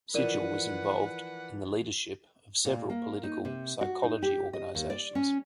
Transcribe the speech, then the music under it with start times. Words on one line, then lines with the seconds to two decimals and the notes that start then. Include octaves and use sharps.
Sigel was involved in the leadership of several political psychology organizations.
0.14 E3 F3 A#4 B4 D5 F#5 D#7
2.65 A#2
2.90 A#3
3.23 D#4
3.45 C3
3.81 F#4
4.03 D#4
4.22 G4
4.53 D#5
4.75 D#2
4.90 D5
5.15 C#4